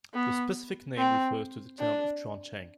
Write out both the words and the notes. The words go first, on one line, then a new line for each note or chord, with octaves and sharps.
The specific name refers to the town of Chuancheng.
B3
C4
D4